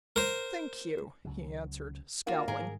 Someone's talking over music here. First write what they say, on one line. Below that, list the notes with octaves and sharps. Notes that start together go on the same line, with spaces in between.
"Thank you," he answered, scowling.
A#4 C5
C#2 C#3 F#3
A#3 F4 F#4
G#2 D#3 G3 G#4 A#4